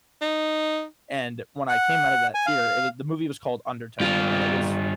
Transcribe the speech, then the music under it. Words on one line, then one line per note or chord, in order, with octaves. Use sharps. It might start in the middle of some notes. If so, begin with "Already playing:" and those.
and when I came out of that theater, it was the movie was called Undertow, and it was,
D#4
F#5
G#5
F5
G2 F4